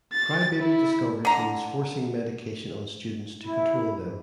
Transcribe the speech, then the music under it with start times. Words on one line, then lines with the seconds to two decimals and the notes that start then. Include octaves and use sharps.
Cry Baby discovers he is forcing medication on students to control them.
0.13 A6
0.60 E4
1.25 D3 A#5
3.42 E4
4.02 G#2